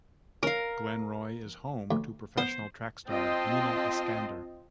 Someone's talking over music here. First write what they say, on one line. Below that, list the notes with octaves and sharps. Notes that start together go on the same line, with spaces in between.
Glenroy is home to professional track star Mina Eskander.
C#4 A#4 F5
D2
B3 C5
C4 F4 D#5 G5 A5 C6